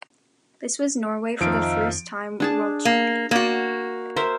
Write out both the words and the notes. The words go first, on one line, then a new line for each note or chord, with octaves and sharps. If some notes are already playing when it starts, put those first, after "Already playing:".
This was Norway for the first time world champion.
F2 D#3 F3 D#4 E5 F5 D7
D4 G#4 A5
A#3
A#3 F#4 D5
A#4 C5 E5